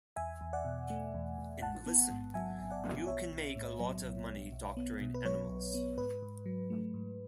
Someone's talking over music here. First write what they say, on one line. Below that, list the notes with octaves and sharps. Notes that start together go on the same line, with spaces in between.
And listen: you can make a lot of money doctoring animals.
E2 E5 G#5
E2
D5 F#5
B2
A3
E2
E2
A1 F#5 A5
B3
G#2
F#3 E5 G#5
A1
D5 F#5
B3
B1 C#5 E5
B1
A2
F#3
B1
B1
B1
B3
B2
B4
F#3 C#5
B1
B3
G#2 B4
G#2
F#3
A3
G#2